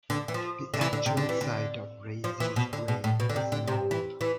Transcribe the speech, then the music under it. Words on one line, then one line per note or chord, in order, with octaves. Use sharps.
The actual site of Reizei's grave is known.
D3
E3
F3
D3
E3
D3
C3
D3
E3
D3
F3
E3
B2
D3
B2
A2
B2
D3
C3
D3
C3
E3
E3